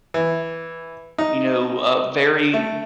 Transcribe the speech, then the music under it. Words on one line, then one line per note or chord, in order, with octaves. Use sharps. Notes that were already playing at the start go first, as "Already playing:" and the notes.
you know, uh, very
E3
D#4
A3